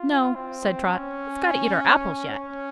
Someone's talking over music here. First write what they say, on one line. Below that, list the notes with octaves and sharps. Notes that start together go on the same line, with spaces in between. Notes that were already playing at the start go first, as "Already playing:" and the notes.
"No," said Trot; "we've got to eat our apples yet."
Already playing: F4
C4
C#4
C#4